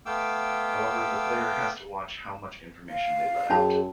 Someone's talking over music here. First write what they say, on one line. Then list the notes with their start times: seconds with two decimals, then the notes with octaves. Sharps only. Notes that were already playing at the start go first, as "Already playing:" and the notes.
However, the player has to watch how much information they let out.
0.06 A3 B3 F5 G5 D6 E6
2.89 F5
3.50 F#2 C#4 G#4 A5 B5